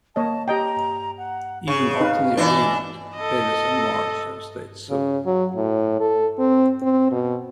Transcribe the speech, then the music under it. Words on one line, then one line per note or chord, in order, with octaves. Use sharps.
Even after the argument Davis and Marz have stayed civil.
A#3 C#5 D#5 A5
G4 D#5 G5 A#5
F#5
C#3 C#6
D#4 B4 F5
E3 D4 D#4 F4 D#5
A4 D#5
C#3
F#3
A2
A4
C4
C4
B2